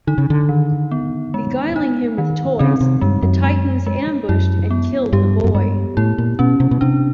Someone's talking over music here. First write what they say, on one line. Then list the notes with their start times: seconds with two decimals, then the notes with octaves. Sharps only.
Beguiling him with toys, the Titans ambushed and killed the boy.
0.07 D3 D#4
0.18 C#3
0.30 D3
0.49 D#3
0.91 B3
1.34 G#3
1.76 D#4
2.18 D#3
2.59 C#3 C4
2.81 C3
3.01 G2 G#3
3.22 F#2
3.44 G#3
3.87 G#3
4.29 F#2 E4
4.71 B3
5.13 G2 G4
5.44 F#2
5.55 G2 G#3
5.97 A2 E4
6.18 A#2
6.39 B2 C#4
6.60 C3
6.71 B2
6.81 C3 D4